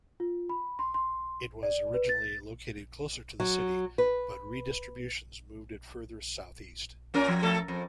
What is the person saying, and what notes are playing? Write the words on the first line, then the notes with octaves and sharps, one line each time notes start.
It was originally located closer to the city, but redistributions moved it further south-east.
F4
B5
C6
C6
D5
B4
A6
F#3
B4
A#2 C#4 A#4
F3
F3 A3 A4
F2